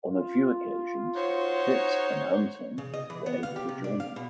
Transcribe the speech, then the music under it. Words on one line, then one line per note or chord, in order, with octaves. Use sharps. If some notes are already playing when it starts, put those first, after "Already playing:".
On a few occasions, Fitz and Hunting were able to join them.
F4
D#4 F#4 C5 C#5
C#3
D#5
E3
B3
F5
G4
C3
D4
F5
B2